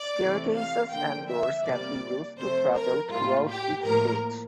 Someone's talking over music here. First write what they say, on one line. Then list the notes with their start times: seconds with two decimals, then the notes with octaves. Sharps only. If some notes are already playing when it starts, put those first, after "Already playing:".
Staircases and doors can be used to travel throughout each stage.
Already playing: D5
0.18 C3 E3 A3
0.55 F5
0.91 D3 F3 A#3 G5
1.28 E5
1.64 C3 G3 A#3 D5
2.37 C3 F3 A3 C5
2.74 A#4
3.10 A2 G3 A#3 F4
3.47 G4
3.84 A2 F3 A#3 A#4